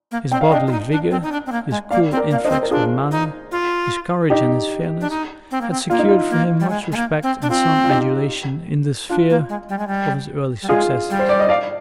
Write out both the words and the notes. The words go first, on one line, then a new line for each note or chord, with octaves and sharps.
His bodily vigour, his cool inflexible manner, his courage and his fairness, had secured for him much respect and some adulation in the sphere of his early successes.
A#3
C4 G5
F5
D4 D#5 G5
F4
D#4
D4
C4
D#4
D4
C4
A#3
G#3
A#3 D5 F5
C4
A#4 D5
A#3
F5
D4 C5 D#5
C4
A#4
D4 F4 G#4
D#4
F4
D#4 G4
D4
D#4
C4
A#3
C4
A#3 F4
D#4
F4
A#3
G3
G#3
G#3
A#3
C4
D4
C4 F4
F4
D#4 G4
D4 F4
A#3
G#3
G3
G#3
G3
G3
G#3 F4 G#4
G3
C5
D5
D#5
D5 F5